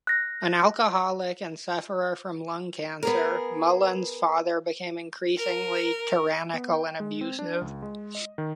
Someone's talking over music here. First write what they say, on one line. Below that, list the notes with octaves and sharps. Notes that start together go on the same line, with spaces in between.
An alcoholic and sufferer from lung cancer, Mullan's father became increasingly tyrannical and abusive.
F#6 A#6
B3 G#4 A#4
A#4
B3
G5
G#3
C4
D4
C#2
G#3
D#5
D#3